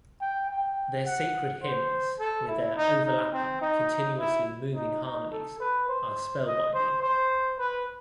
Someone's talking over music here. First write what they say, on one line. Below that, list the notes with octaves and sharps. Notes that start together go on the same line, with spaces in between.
Their sacred hymns with their overlapping, continuously moving harmonies are spellbinding.
G5
G5
F#5
C5
A4
E4
D#4
D#4
C4
D#4
E4
D#4
D#4
A4
B4
C5
D#5
C5
C5
B4